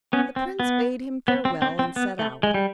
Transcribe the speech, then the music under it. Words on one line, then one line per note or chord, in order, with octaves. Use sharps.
The prince bade him farewell and set out.
B3 C#4
C4
B3
B3
C4
C4
C4
B3
A3
G#3
G3